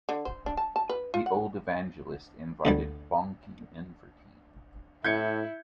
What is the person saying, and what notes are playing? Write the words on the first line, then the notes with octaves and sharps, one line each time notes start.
The old evangelist invited Bonnke in for tea.
D3
C5
D4
A5
A5
B4
F4
F#5
D2 D3 G3
A2 E4 G6 G#6 C#7